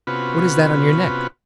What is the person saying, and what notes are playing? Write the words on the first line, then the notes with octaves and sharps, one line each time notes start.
"What is that on your neck?"
C3 B3 C#4 F4 F#4 B4